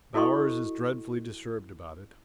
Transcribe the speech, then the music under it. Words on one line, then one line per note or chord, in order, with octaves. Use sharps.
Bowers is dreadfully disturbed about it.
E4 F#4 A4 D#5 C6 C#6